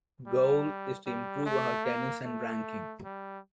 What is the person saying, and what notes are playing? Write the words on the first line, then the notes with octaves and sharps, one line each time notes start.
Goal is to improve her tennis and ranking.
G3
G3
A3
A#3
A3
G3